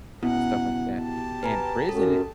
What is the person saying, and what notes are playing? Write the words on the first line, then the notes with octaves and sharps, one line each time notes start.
And stuff like that and prison i
B2 C#4 E4 F#5
G4 A5
B4 G#5 A#5
F#2 A4